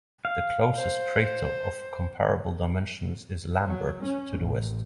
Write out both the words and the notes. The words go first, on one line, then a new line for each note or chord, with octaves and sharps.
The closest crater of comparable dimensions is Lambert to the west.
F5
C5
F#3
C#4
A1